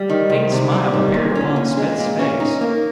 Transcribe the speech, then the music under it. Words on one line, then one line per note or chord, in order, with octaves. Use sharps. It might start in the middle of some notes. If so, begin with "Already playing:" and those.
A faint smile appeared upon Smith's face.
Already playing: G3
D#3
C2
C3
G3
D#3
A#2
C#4
A#2
G#3
A#2
C#4
D#4
A#3